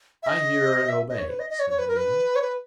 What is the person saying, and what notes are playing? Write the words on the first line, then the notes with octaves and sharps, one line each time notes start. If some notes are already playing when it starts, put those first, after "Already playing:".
"I hear and obey," said the Demon.
E5
D#5
E5
D#5
C#5
B4
D#5
D#5
C#5
C#5
B4
A#4
B4
C#5
B4